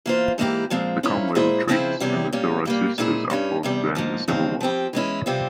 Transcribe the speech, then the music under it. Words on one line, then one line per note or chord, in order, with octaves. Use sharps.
The convoy retreats, and the Duras Sisters are forced to end the civil war.
E3 A#3 F4 C5
G#2 E3 A#3 E4 G4
A#2 F3 G#3 C4
G#2 F3 A#3 C#4 E4
A#2 G#3 E4 G#4 C5
C#3 F3 C4 E4 G#4
E2 C3 G3 C#4 E4
A#2 G3 C#4
A#2 G3 A#3
A#2 G#3 E4 G#4 C5
G2 G3 C#4
E2 C3 G3
G#2 F3 A#3
E2 C#3 F3 G#3 C4
F3 C4 G4
E3 G#3 C#4 E4
C3 G3 C4 F4